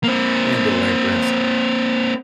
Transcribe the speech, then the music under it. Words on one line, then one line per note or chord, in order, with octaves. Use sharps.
being delinquents.
A#3 C4